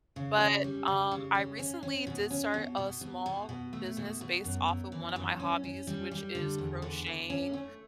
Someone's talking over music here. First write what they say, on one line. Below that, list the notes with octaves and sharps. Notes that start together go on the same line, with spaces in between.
but, um, I recently did start a small business based off of one of my hobbies, which is crocheting,
C#3
C#4
G3
C#3
C#3
C#4
C#4
C#4
B2
C#4
B2
B2
B2
B2
B2
A3
B2
B2
F#2
F#2
E3
F#2
C#4
C#4
G3
G3
D3
E2
D3
D3
C#4
A3